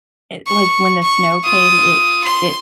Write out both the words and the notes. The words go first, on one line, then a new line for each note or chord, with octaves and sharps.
it like when the snow came, it it
C#6
C#6
F4 D#6
C6